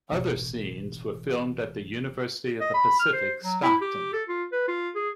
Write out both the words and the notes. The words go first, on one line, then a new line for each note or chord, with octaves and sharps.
Other scenes were filmed at the University of the Pacific, Stockton.
E1 A1
D#5
B5
F6
C5
F#3
E4
G4
A4
F4
B4
F4
G#4